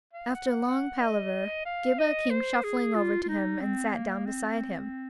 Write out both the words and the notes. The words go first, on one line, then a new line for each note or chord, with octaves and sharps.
After long palaver, Ghibba came shuffling over to him, and sat down beside him.
F5
F#5
F#5
D#5
F5
D#5
C5
G#4
F4
F4
D#4
C4
A#3
C4